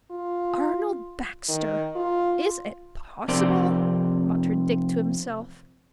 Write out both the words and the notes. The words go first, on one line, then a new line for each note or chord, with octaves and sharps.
"Arnold Baxter! is it possible!" muttered Dick to himself.
F4
D#3
F4
F2 C3 C4 A#4 D5